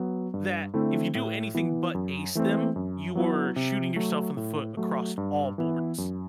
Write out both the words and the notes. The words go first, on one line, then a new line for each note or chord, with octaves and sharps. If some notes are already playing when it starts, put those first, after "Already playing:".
that if you do anything but ace them, you were shooting yourself in the foot across all boards.
Already playing: F#3 B3
G2
D3 A3 C4 E4
A2
E3 B3 E4
F#2
E3 A3 C4
F#2
F#3 B3 E4
C3
F#3 A3
A2
F#3 A3
G2
E3 B3 E4
F#2